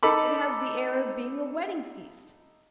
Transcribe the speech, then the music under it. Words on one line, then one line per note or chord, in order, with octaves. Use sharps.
It has the air of being a wedding feast.
D#4 A4 B5 D6